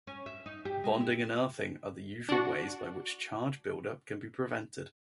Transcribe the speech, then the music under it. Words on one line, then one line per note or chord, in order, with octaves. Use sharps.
Bonding and earthing are the usual ways by which charge buildup can be prevented.
C#4
E5
D#4
G4
G#3
E4
D4 F#4